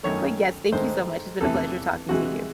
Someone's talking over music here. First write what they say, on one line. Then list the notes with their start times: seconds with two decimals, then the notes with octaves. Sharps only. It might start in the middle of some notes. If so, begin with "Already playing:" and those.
but, yes, thank you so much. It's been a pleasure talking to you.
0.03 F#2 D#3 A3 C#5
0.72 G#2 D#3 A3 C5
1.41 E2 C3 E3 A3 A4
2.09 C3 E3 G#3 F#4